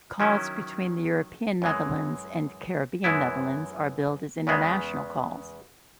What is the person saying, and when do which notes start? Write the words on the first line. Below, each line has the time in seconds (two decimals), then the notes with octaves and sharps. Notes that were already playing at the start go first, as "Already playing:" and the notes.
Calls between the European Netherlands and Caribbean Netherlands are billed as international calls.
0.20 D#3 F#3 C#4 E4
1.62 F#2 E3 G#3
3.04 F#2 E3 G#3 B3 E4
4.47 E2 C#3 G#3 B3